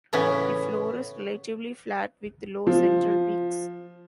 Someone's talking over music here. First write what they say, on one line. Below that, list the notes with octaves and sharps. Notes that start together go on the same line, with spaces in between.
The floor is relatively flat with low central peaks.
A2 C#3 E3 B3 C#4
F3